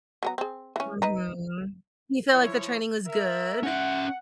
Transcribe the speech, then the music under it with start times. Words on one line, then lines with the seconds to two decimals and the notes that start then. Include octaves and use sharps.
Mhm. You feel like the training was good?
0.23 F#3 B3 A#5
0.38 C4 G#4
0.76 E3 C#4
1.02 D#4 B4 A#5
2.32 F3 E4 C#5
3.06 A#4 E5
3.63 C#4 E5 F#5